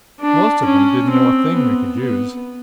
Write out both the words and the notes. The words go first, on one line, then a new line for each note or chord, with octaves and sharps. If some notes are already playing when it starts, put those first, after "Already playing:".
Most of them didn't know a thing we could use.
D4
C#4
C4
B3
B3